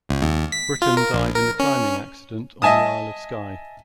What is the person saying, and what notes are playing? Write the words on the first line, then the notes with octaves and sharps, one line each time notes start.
Britton died in a climbing accident on the Isle of Skye.
C#2
D#2
B6
F4
A#4
A#1
A#4
C#4
D#5 E5 G#5 A5 D#6